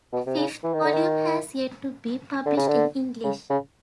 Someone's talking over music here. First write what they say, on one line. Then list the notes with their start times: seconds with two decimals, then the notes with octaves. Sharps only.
The fifth volume has yet to be published in English.
0.13 B2
0.27 C3
0.38 C#3
0.64 E3
0.74 D#3
0.84 D3
0.94 D#3
2.46 D3
2.57 C#3
2.68 D3
3.24 C#3
3.50 C#3